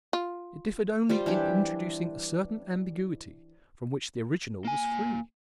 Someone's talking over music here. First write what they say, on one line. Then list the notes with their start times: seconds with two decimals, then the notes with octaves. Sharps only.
It differed only in introducing a certain ambiguity from which the original was free.
0.13 F4
1.09 G3 F4 C5
1.26 E3 D4 G4
4.65 A#3 G#5